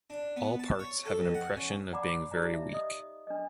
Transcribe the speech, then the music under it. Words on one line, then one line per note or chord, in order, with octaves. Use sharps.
All parts have an impression of being very weak...
D4
B3
A5
C#5
A4
F2
F#5
C#4
D5 F#5 A#5 B5 D6
D#4 G4 D5 A#5
E5
D#5 D#6
D4 D#5